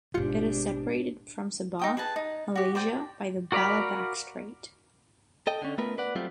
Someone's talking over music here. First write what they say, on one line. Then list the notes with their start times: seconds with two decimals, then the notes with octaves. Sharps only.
It is separated from Sabah, Malaysia, by the Balabac Strait.
0.14 G#1 G#2 B2 D4 F4 G4 C#7
1.79 D#4 G5 D#6
1.97 G#4 B4 A5
2.16 D#4
2.55 F#4 G4
2.75 C5 D5 G5
3.52 F#4 A#4 D5 F5 B5
5.47 A4 D#5 G5
5.62 D3 C#4
5.78 A3 B3 F4 A#4 B4
5.98 B4 D5 F#5
6.15 F#3 G3 A3 C4 F4